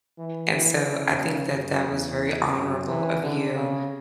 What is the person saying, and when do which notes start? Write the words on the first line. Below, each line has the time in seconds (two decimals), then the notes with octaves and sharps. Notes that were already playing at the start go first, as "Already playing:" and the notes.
And so, I think that that was very honorable of you,
0.18 E3
0.51 E3
0.86 C#3
1.53 F#2
1.87 E2
2.54 F#2
2.88 E3
3.22 D3
3.56 C#3